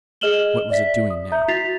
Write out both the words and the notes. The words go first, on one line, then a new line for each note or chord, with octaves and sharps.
What was it doing now?
G#4 D#5 F6 E7 F#7 G7
D5 E5 B6
D#6
E5 A#5 G6
E4 F#4 A6 B6 C7 F7